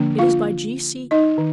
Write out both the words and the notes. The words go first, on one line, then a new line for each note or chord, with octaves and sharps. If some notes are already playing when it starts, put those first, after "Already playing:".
It is by G.C.
Already playing: D3 F3 A#3 D4
F4 F5
D#4 D#5
D#3